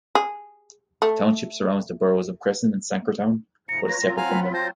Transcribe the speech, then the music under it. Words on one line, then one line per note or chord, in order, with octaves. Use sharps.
The township surrounds the boroughs of Cresson and Sankertown but is separate from them.
G#4
A3
G#2 C3 F3 A#5 C#7
F4 B4 C#5 A#6
F#3 C4 F4
F5 F#5 G#5 A#5
B5
C5 G5 A5 A#6